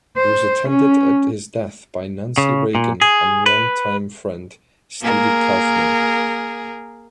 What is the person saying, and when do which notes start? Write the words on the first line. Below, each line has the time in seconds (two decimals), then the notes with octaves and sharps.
He was attended at his death by Nancy Reagan and longtime friend Stevie Kaufmann.
0.17 C5
0.69 C#4
2.38 C#3
2.75 A#2
3.01 G#4
3.46 B4
5.01 A#3 G#4 A#4